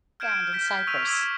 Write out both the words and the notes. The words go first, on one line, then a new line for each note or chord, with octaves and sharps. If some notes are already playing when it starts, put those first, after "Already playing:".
Found in Cyprus.
F6 G6 G#6 D7 E7
F6 G6 B6
C#6 E6 F6 B6 D#7 F7
D6 E6 G#6